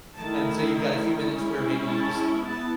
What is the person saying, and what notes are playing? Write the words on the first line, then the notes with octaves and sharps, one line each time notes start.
And so, you got a few minutes where maybe you just
D#3 A3 E4 A5
G#3 C#4 E4
A5
B3 E4 A5